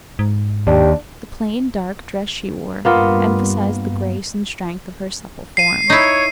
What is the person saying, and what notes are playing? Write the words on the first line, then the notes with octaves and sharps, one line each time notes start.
The plain dark dress she wore emphasized the grace and strength of her supple form.
G#2
D#2 D4 G4
G2 A#3 B3 F4
C7 D#7
D#4 E4 C#5